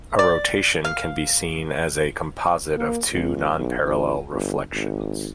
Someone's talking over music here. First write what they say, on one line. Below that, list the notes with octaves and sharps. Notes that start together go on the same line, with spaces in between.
A rotation can be seen as a composite of two non-parallel reflections.
D5
F5
A#3
C#2
B1
A1
G1
G#1